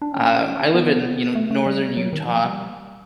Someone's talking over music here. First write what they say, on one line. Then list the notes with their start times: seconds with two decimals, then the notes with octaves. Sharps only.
um, I live in, you know, northern Utah,
0.02 D4
0.13 C#4
0.74 B3
1.35 A3
1.51 A3
1.66 G3
1.97 F#3
2.13 D#3
2.28 F3
2.44 G3